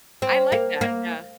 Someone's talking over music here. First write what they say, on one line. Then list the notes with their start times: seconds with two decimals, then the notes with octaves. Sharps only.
I like that, yeah.
0.22 C4
0.52 A#3
0.81 A#3